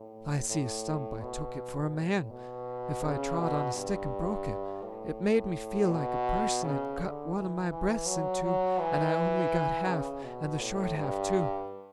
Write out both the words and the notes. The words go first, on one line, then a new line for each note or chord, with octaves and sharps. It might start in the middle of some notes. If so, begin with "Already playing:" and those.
If I see a stump, I took it for a man; if I trod on a stick and broke it, it made me feel like a person had cut one of my breaths in two and I only got half, and the short half, too.
Already playing: A2
A2
B2
A2
B2
C#3
B2
G2
A2
B2
C#3
D3
E3
E3
F#3
F#3
E3
C#3
B2
A2
G2